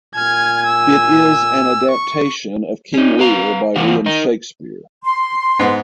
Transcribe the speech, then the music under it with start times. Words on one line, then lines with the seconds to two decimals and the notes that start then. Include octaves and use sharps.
It is an adaptation of "King Lear" by William Shakespeare.
0.15 A#2 G#5 F6 G#6
0.66 E6
1.91 C#6
2.94 C#4 D#4
3.19 B4 F5 A#5
3.76 E3 F3 A#3 C4 F#4 F5
4.06 D#4 A#4 D#5
5.04 C6
5.59 G#2 B3